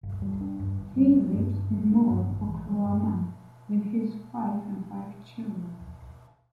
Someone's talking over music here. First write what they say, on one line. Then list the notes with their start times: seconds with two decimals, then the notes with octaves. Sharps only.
He lives in Moore, Oklahoma, with his wife and five children.
0.03 G1
0.22 G3
0.41 D4
0.60 G2
0.79 G1
0.97 G3
1.16 D4
1.35 G2
1.54 G1
1.73 G3
1.91 D4
2.10 G2
2.29 A1
2.48 E3
2.67 G3
2.85 G2